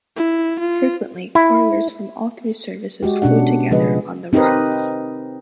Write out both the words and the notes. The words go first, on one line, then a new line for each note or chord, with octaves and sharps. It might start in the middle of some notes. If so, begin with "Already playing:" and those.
Frequently, couriers from all three services flew together on the routes.
E4
F4
E4
G#3 F#4 G4
B2 C#4 D4 F#5
C#3 F3 G#3 G#4 B4 D#5
C4 D#4 G4 A#4 B4 D#5